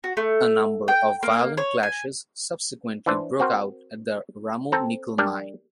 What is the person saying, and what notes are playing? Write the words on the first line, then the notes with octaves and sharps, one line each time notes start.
A number of violent clashes subsequently broke out at the Ramu nickel mine.
F#4
A3
G5
A#3
C#5
G#5
E3 D4 C5
C4 F#4 A#4 C5
C4 A4 A5 A#5
G3 D4 A#4 D5